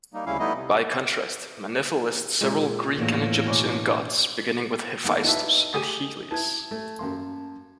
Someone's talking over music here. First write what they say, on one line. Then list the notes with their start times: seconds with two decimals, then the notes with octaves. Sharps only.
By contrast, Manetho lists several Greek and Egyptian gods beginning with Hephaistos and Helios.
0.14 G3 A#3 D#4
0.26 D2 C#3 G3 C#4 E4 F5
0.39 G3 A3 B3 D#4 E4 D#5
0.55 C3
2.41 A#2 G#3
2.95 E2 A2 A#3
3.46 B2 C#4 D4
5.04 D#3 A#3 B3 A4
5.24 D#4 E4 F#4 B4 E5 A5
5.74 A3 G4 G#4 D#6 D#7
6.31 E4 B4 A5 G#6
6.71 A3
6.99 F#2 A#3 C6